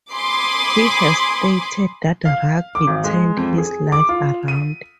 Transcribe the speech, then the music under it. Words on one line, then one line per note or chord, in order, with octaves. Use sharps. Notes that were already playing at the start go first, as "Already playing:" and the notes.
He has stated that rugby turned his life around.
G#5 B5 C6 D6 D#6
F5
D6
G#1
G#3
F2
G#4
D6
F4
D#7